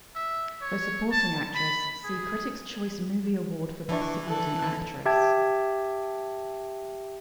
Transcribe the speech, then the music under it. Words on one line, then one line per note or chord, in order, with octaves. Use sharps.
For supporting actress, see Critics' Choice Movie Award for Best Supporting Actress.
E5
C#5
A5
B5
G#4
E3 D4 C#6
A4 F#6
G4 E5 G5 A5 G#6